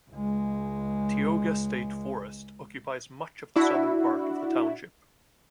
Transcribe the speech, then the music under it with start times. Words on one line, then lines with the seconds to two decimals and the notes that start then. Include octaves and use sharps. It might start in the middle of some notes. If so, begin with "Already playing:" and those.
Tioga State Forest occupies much of the southern part of the township.
0.11 C#2 G#3
3.56 D4 E4 F#4